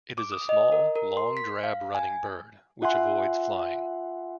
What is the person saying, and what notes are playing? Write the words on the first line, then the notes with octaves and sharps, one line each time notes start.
It is a small, long drab running bird, which avoids flying.
D6
D#6
D#5
A#4
A#4
C6
B6
F5
G#5
F4 E5 F#5 G#5 C6